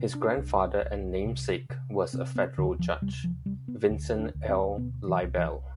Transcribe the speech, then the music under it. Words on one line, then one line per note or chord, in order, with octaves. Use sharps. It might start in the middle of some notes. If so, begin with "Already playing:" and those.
His grandfather and namesake was a federal judge, Vincent L. Leibell.
Already playing: C3
D4
C2
C2
C3
C3
C3 C4
B3
D2 D3
F3
C3 G3
F3
C3 G3
B3
D2
D4
D2
C4
B2 B3
E3
C2
E3